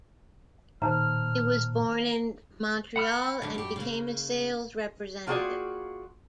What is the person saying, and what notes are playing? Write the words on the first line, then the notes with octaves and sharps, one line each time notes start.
He was born in Montreal and became a sales representative.
A#2 D#3 C5 A5 A#5 F6
F#5 B5 F6
F#2 D3
F#2 G4
C#3 A#3
A#3 F4 F#4 G#4 D5 G5